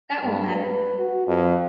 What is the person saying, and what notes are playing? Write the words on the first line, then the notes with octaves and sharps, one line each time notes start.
That won't matter.
G2
B4
F#4
F2